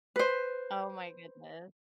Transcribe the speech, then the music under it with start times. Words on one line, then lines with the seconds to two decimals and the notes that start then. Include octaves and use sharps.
Oh my goodness.
0.16 B4 C5